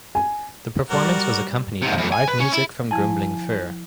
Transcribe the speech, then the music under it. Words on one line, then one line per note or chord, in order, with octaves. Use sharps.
The performance was accompanied by live music from Grumbling Fur.
G#5
G3 F#4 A#4 D5
G#2 C3
E2 A2
G#5
B4
C#4
E4
F3 E4 G#5 A5